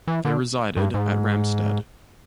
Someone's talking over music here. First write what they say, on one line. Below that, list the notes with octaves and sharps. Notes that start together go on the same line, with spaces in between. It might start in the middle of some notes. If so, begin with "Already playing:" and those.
They resided at Ramstad.
E3
D3
G2
G#2